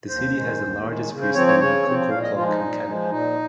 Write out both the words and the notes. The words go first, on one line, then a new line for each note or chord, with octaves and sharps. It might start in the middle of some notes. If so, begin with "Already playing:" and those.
The city has the "largest freestanding cuckoo clock in Canada".
D#2 C5
D#3 G#3
D#2
D#3 G#3
C#3
C5
F3 C4 C#5
C#5
C#3 C#5
F3 C4
A#2 F5
D#5
F3 G#3 F4
D#4
A#2
F3 G#3
A#2 D#4